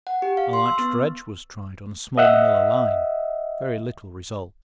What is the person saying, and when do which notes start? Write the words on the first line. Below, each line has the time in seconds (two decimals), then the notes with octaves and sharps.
A light dredge was tried on a small manilla line--very little result.
0.07 F#5
0.22 G4
0.37 F5
0.53 C6
0.66 E6
0.79 B3
2.18 D#5 E5 F#5